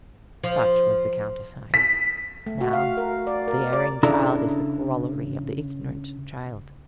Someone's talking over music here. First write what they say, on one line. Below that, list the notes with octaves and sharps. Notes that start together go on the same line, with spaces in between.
Such was the countersign. Now, the erring child is the corollary of the ignorant child.
F3
B6
A3
F#4
F5
A#4
D5
A#4
D5
C#3 D4 E4 A4 A#5